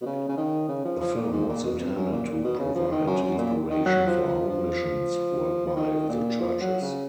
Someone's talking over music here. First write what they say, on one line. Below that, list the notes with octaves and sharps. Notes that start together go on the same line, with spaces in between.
The film was intended to "provide inspiration for home missions work by the churches".
B2
C#3
C#3
D#3
C#3
F3
F3
A#2
G#2
A#2
B2
F2
F#2
A#2
A#2
B2
C#3
F3
D#3
F#2
F#2
A#2
D#3
F#3
F3
F3
F3
F3
D#3
A#2
F3
F#3
C#3